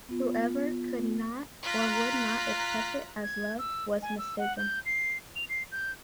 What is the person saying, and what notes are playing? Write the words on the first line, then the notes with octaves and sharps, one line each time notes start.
Whoever could not or would not accept it as love was mistaken.
B3 F4
F4 A#5 F#6 B6
G#6
E6
G#5
E6
F#5
G6
C7
F7
C7
G6